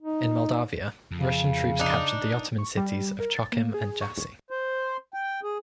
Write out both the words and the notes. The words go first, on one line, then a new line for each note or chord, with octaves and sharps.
In Moldavia, Russian troops captured the Ottoman cities of Chocim and Jassy.
D#4
F2 C#3
D4 D#4
C#6
G3
A#4
A6
A#3
G#4
C#6
C5
G5
G#4